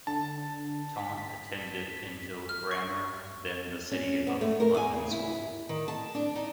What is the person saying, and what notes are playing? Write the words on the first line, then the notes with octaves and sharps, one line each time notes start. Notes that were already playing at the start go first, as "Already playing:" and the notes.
Taunt attended Enfield Grammar, then the City of London School.
D3 A5
B6
F6
C#6
C#4
B3
A3
A#4
G#5
C#3
E4
D#3
A5
D4
D#4